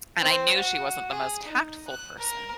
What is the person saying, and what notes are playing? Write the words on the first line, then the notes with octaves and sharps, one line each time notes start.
And I knew she wasn't the most tactful person.
C4
F#4
G#4
D#4
F#6
A#4